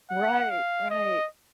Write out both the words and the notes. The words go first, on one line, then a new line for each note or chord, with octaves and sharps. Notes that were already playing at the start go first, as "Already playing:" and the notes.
right, right.
F#5
F5
D#5